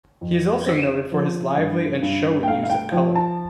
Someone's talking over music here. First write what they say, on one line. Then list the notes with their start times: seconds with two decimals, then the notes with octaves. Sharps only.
He is also noted for his lively and showy use of colour.
0.21 F2
0.66 C4
1.12 F3
1.57 G2
2.02 G2
2.43 G5
2.47 A3 F5
2.63 F5
2.70 G5
2.92 F3 G5
3.15 A5